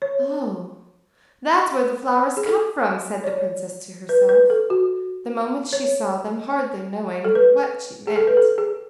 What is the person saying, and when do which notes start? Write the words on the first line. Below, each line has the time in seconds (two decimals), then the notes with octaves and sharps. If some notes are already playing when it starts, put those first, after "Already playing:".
"Oh, that's where the flowers come from!" said the princess to herself, the moment she saw them, hardly knowing what she meant.
0.02 C#5
2.37 G#4
2.46 A4
3.24 C#5
3.28 D5
4.09 B4
4.29 B4
4.50 A4
4.70 F#4
5.73 C#5
7.25 A4
7.35 B4
8.07 G#4
8.16 A4
8.27 B4
8.37 A4
8.58 G#4